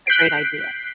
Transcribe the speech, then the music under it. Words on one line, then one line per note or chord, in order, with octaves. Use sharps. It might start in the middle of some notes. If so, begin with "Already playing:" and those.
a great idea.
F#6 G6 B6 C7 D7